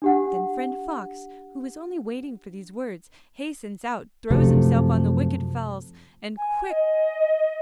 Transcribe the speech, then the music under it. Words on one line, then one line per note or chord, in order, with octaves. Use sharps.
Then friend Fox, who was only waiting for these words, hastens out, throws himself on the wicked fowls, and quick!
D4 G4 F#5
F#2 C3 F3 A3
G#5
D#5